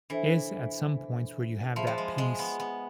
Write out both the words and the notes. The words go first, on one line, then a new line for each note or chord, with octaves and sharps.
is at some points where you have that peace,
E3 D4 A4 C5 E5
F3 G#4 C5 E5 B5
F3
G#3
G#3
B3
B3